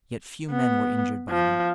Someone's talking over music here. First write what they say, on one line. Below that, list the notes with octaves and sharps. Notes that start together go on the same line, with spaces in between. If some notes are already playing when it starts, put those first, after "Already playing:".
Yet few men were injured by them.
B3
F3